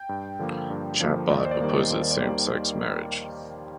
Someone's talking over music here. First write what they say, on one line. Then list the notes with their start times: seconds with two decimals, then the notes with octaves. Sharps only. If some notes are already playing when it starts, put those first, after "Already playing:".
Chabot opposes same-sex marriage.
Already playing: G5
0.09 G2
0.39 D3 F3 A#3
0.70 G2
1.00 D3 F3 A#3
1.30 D#2 D#5
1.37 D5
1.45 C5
1.51 D5
1.61 D#3 G3 A#3
1.90 D#2 C5
2.11 D5
2.21 D#3 G3 A#3